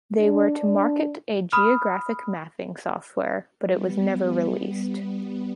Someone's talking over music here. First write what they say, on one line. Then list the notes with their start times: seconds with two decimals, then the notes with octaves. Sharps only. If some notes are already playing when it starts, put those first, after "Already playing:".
They were to market a geographic mapping software, but it was never released.
0.20 D4
1.52 B5 D#6 F6
3.69 G3 B3